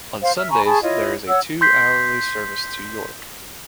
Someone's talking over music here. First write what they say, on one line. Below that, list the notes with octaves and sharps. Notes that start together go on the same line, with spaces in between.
On Sundays there is a two-hourly service to York.
C5 F5
E5 F6
G#5 A#5 B5 C#6
G#4 A5 B5 C#6
E4 F4 C#5 D#5
C#5 F#5 E6
C6 G6 B6 C7